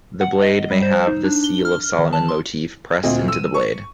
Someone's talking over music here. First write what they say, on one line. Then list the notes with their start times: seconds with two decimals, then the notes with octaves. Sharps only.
The blade may have the Seal of Soloman motif pressed into the blade.
0.21 F#5
0.42 D#5
0.71 G3
0.82 C5
1.07 D#4
1.24 D4
1.44 G7
1.65 F6
1.99 D#3
2.13 A5
2.29 C6
3.03 D2 A#2 C4 D#5
3.28 E6 D#7
3.54 C#6